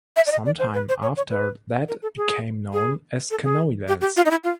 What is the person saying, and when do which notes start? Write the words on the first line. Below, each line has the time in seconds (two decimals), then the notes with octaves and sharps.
Some time after that it became known as "Canoelands".
0.16 E5
0.27 D5
0.32 D#5
0.46 D5
0.59 C5
0.74 B4
0.89 C5
1.03 C#5
1.17 C#5
1.30 B4
1.88 A#4
2.03 A4
2.17 G#4
2.73 G#4
3.31 A4
3.44 G#4
3.88 G4
4.01 G4
4.17 F4
4.26 D#4
4.31 E4
4.44 F4